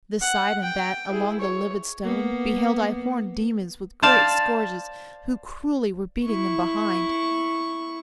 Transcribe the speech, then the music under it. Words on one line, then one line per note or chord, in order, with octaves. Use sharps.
This side and that, along the livid stone Beheld I horned demons with great scourges, Who cruelly were beating them behind.
F#5
G5
E4 G#4
C#5
A#3 B3
C5 D5 F5 A5
E4 C#6